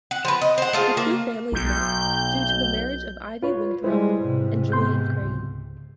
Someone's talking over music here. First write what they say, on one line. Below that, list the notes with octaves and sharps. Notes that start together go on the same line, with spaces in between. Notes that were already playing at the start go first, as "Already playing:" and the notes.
The two families met due to the marriage of Ivy Winthrop and Julian Crane.
F#5
F3 B4
D#5
C5 F#5
A3 F4 G#4
A#3
B1 G6
F4 B4 C#5
G3 G#3 E4 B4 C5
G#2 C3
B3 C6 G6
C#2